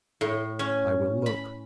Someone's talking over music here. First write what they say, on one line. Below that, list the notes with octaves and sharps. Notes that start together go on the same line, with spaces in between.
I will look.
A2
C#4
B5